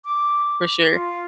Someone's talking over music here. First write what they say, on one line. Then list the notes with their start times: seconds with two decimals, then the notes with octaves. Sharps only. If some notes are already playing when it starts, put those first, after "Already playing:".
for sure.
0.05 D6
0.91 F4